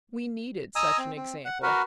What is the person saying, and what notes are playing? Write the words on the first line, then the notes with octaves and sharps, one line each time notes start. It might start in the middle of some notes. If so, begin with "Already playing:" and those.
We needed such an example.
D#5 G#5 A#5 D#6 E6
C4
C4
F#5
F#4 A#4 B4